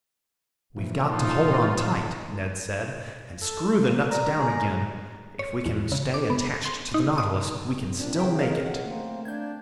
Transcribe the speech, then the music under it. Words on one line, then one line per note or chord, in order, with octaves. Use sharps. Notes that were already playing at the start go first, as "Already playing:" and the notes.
"We've got to hold on tight," Ned said, "and screw the nuts down again! If we can stay attached to the Nautilus, we can still make it . . . !"
A#2 E3 F3
D#4 F4
A4
A#3
D5 A#5
G#4
C#5
E2
C#3
D6
B3
C6
D#4
D#6
A#2 C4 D4
C#3 B4 E5 G5
A#4 D#5 F5
F#5
A3 A#3 C4
D4 G6 G#6